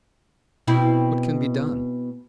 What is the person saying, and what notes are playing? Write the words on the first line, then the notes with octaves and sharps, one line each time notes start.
"What can be done?"
B2 C4 E4